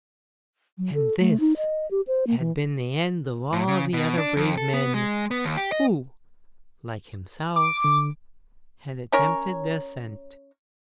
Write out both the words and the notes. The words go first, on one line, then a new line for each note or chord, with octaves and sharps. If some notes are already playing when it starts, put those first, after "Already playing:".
And this had been the end of all the other brave men who like himself had attempted the ascent.
F#3
A4
A3
D#4
D#5
G4
C5
A#3
E3
A2
C#3
B2
D4
F2
A4
B3
G#3
B3
D#2
G4
D#5
D6
D3
C#4 A#4 C#5